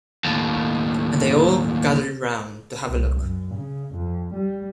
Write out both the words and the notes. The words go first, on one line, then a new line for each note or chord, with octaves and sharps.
And they all gathered round to have a look.
D#2 A2
C2
F#2
C#3
F2
G3